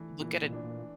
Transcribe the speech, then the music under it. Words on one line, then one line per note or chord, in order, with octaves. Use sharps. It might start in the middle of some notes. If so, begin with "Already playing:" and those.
look at it
Already playing: E3 A3 D4
A#2 E3
A#2
D4
A#2